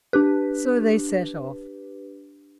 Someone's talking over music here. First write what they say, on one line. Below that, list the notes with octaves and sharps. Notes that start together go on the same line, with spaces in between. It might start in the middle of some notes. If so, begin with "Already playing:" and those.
So they set off.
D4 G4 B4